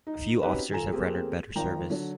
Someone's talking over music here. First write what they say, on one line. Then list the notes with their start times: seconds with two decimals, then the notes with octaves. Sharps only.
Few officers have rendered better service.
0.07 D#4
0.42 C4 C#4 D#4 F#4 G4 B4
0.70 D#1 F4 A4 G#5 A#5 E7
0.93 A3 A#3 C4 G4 G#4
1.56 G#1 D#3 F3 G5 A#5
1.90 D3 F#3